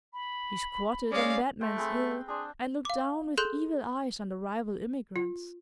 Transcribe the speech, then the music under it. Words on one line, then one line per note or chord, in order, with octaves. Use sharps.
He squatted on Batman's Hill, and looked down with evil eyes on the rival immigrants.
B5
G#3 C#4 D5 F5
A3 C5 G5
C4 G#4 B4
G5
D4 G#4 C5
F5 D6
G#4 A4 C6 F#6 G6
F4